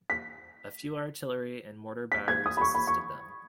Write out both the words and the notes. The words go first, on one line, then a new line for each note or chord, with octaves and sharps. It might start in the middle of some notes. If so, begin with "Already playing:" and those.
A few artillery and mortar batteries assisted them.
B6
B6
G#6
D#6
B5
C#6
B5
C#6